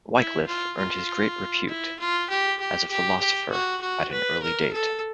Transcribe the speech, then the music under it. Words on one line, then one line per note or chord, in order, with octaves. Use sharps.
Wycliffe earned his great repute as a philosopher at an early date.
E4
F4
F4
E4
F4
G4
G4
G4
G4
F#4
F#4
B4
A#4
A4